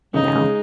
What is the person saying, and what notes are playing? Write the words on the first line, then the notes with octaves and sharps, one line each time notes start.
you know?
C#3 D#4
G#3